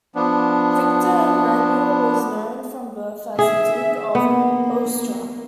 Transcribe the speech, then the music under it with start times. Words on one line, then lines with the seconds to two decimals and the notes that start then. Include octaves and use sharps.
Victor Emmanuel was known from birth as the Duke of Aosta.
0.15 F3 B3 D4
3.39 G#4 E5
4.15 A#3 B3